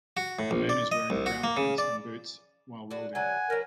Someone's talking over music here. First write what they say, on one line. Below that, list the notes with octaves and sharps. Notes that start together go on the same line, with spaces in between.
A man is wearing brown pants and boots, while welding.
F#4
A2
A#1
D5
D#5
C2
F#4
A#3
C#3
D5
F#4 G#4 D5
D3 F#3 F#5 G#5
F#3 A#4 B4